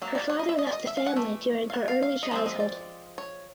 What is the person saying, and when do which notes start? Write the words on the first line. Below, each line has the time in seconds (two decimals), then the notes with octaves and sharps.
Her father left the family during her early childhood.
0.02 F#3 A#3
0.15 D5
0.30 C#5
0.39 D#5
0.49 E5
0.59 D#5
0.67 D5
0.73 D#5
0.87 E5
0.97 F5
1.06 F#5
1.16 E3 A3
1.70 F5
1.73 F#5
1.88 F5
2.02 F5
2.23 D#5
2.31 F3 G#3 C4
2.46 D#5
2.60 D5
3.18 C#5